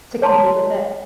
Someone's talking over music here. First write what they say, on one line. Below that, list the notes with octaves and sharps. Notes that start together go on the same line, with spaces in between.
To compete with it.
C#5 A5 A#5 C6